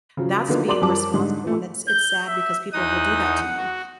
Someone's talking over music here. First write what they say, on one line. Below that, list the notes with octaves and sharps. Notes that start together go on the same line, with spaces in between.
That's being responsible, and it's it's sad because people will do that to you.
C#3 F3 F#3
D3 F3 F#3 A#3 B3 D#4
F#3 A#4 D5 C6 D6 F#7
F#2 F3 G3 A#4 A5 D6
G#2 D3 G3 G#3
A#2 A3
G6
E5
E2 D#4 D#6 F#6
F#5
F#4